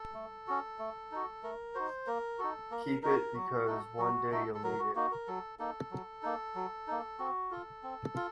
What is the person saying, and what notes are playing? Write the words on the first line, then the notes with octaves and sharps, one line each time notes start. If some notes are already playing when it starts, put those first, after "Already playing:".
Keep it because one day you'll need it.
Already playing: A4
A3
C#4 F#4
A3
D#4 F#4
A3 A#4
D#4 F#4 C5
A#3 A#4
D#4 F#4 A4
A#3 A#4
D#4 F#4 A#4
F#3 F#4
A3 D#4 F#4 A4
F#3 F#4
A3 D#4 F#4 A4
A4
F#3 A#4
F#4
A#3 D#4 F#4
A#4
F#3 A4
A#3 D#4 A4
F#3
A#3 D#4
F#3
A#3 D#4
C4 F#4
F4 A4
C4
F4